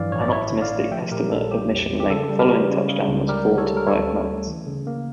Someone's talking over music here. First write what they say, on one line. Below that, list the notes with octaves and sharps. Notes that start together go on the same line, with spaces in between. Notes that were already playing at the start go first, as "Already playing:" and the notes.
An optimistic estimate of mission length following touchdown was "four to five months".
Already playing: G2 E3 F3 D5 F5
A1 C#5
D5
E4 C#5 E5
D3
D5 F5
A3
F3 E5 G5
A#2 G4 A#4
A#1 A4
G3 G4
E2
E2
G4
C#3 A4
G3
G4 A#4
G3
C#3
C#3
C#2
G3 G4 A#4
D3
A4 C#5
G3
A#4
D2 A4 C#5
C#4
A3
E3
C#3
A#3